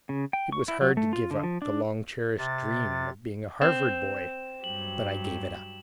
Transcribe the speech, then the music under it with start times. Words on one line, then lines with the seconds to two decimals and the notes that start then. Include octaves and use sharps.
It was hard to give up the long-cherished dream of being a Harvard boy; but I gave it up.
0.09 C#3
0.33 G5
0.52 C#6
0.68 E4
0.81 F#3
0.97 A3
1.13 F4
1.31 D3
1.43 F3
1.62 D4
2.38 C3 A6
3.61 C4 E7
4.64 G2 F#3 G4 F#7